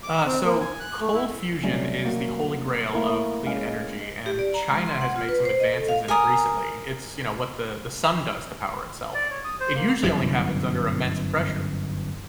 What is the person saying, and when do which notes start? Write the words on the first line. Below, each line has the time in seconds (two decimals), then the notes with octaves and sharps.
Uh, so, cold fusion is the holy grail of clean energy, and China has made some advances in it recently. It's, you know, what the the sun does to power itself. It usually only happens under immense pressure.
0.03 D6
0.26 C4
0.45 A#3
0.61 G#5
0.80 F#6
1.01 A3
1.14 E4
1.63 C3 F#3 G3 A3 C#4
2.05 A#3 F#4
2.93 A3 A#3 E4 A#4
3.47 G#3 C#4 F5
4.26 G4
4.39 D5
4.54 A#5
4.70 G#3
4.86 C6
5.01 F#5
5.16 F4
5.29 B4
5.45 C5
5.60 D#5
5.73 A4
5.88 F5
6.08 A#4 G#5 D#6
9.14 D5
9.30 C#5
9.44 D#6
9.60 C5
9.75 A#3
10.03 G1 F#2 E3